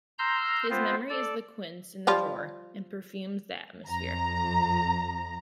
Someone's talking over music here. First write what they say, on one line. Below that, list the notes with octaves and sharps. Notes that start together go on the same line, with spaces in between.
His memory is the quince in the drawer and perfumes the atmosphere.
A#5 C6 E6 F6 G6
B3 C4 F4 C5
A4 D5
F3 G3 F4
F2 A#5